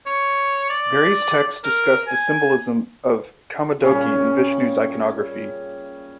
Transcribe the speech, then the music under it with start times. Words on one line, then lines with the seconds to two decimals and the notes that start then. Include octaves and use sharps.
Various texts discuss the symbolism of Kaumodaki in Vishnu's iconography.
0.06 C#5
0.70 D5
1.64 A#4
2.07 G#5
3.81 A#2 C#3 G3 C#4